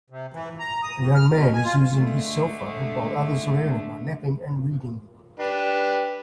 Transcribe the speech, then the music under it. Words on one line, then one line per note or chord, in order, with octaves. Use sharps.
A young man is using his cellphone while others around him are napping and reading.
C3
E3
A#5
D#6
F2
F6
B2
G#5
F4
D3 G#3 A3
D4 G4 B4